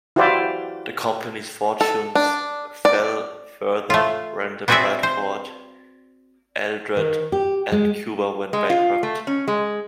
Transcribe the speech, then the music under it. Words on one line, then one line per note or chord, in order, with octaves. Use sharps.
The company's fortunes fell further when the Bradford, Eldred and Cuba went bankrupt.
E4 F#4 G4 C5 D5 F5
A4
D4
D5
A3 F4
B3 C4 F#4 G#4 D5 E5
C5
D#3
G4
G#3
G#3
F4
A3
C#4
G#3